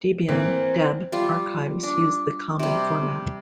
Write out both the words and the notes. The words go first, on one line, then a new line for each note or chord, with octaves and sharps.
Debian ".deb" archives use the common format.
E3 A#3 C4
G3 F4
D4
C3 G3